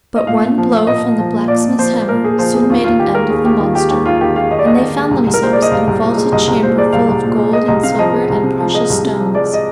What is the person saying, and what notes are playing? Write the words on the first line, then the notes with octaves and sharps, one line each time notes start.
But one blow from the blacksmith's hammer soon made an end of the monster, and they found themselves in a vaulted chamber full of gold and silver and precious stones.
D#5
A#2 F5
A#2
F3
A#3
A#2 D#5
A#2
F3
A#3
A#2 D5
A#2
F3 C5
A#3
A#2 A#4
A#2 G#4
F3 C5
A#3 G#4
D#2 F4
D#2 F4
D#3 G4
G#3 A#4
D#2 G#4
D#2 G4
D#3 F4
G#3 G4
D#2 G4
D#2 F4
D#3 G4
G#3 F5
D#2 D#5
D5
D#2 D#5
D#3
G#3
C2
C2
A#4
A#2 C5
G#3 D5
D#5
C2 F5
C2
A#2
G#3
C2 D#5
C2
A#2 C5
G#3 D5
C2 F5
C2
A#2
G#3
G#3 D#5
C2 D#5
C3 F5
F3 D#5
G#3
C2
C3
F3
G#3 D#5
C2
C3
F3
G#3 D5
D#5